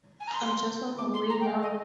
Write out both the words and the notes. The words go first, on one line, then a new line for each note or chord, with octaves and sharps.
I'm just on my way now.
G#5
A#5
C6
D6
C6
A#5
G5
F5
D#5